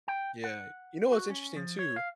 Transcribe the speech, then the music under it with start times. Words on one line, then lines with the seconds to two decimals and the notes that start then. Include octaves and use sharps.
Yeah. You know what's interesting, too
0.08 G5
0.44 F#5
1.12 F#4
1.30 C#4
1.56 F3
1.79 C#5
1.96 F5